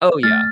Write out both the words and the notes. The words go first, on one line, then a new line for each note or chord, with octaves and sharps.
Oh, yeah.
A3 F6 A6